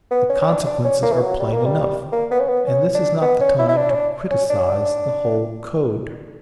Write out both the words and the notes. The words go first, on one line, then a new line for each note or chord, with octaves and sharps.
The consequences are plain enough, and this is not the time to criticise the whole Code.
B3
C#4
C#4
D4
D4
C#4
A#3
E3
F#3
G3
A#3
G3
A#3
B3
C#4
B3
C#4
D4
B3
C#4
E4
E4
D4
C#4
D4
C#4
D4
C#4
D4